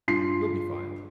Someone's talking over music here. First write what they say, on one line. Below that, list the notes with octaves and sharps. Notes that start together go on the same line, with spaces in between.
"You'll be fine."
G2 F4 C6 C7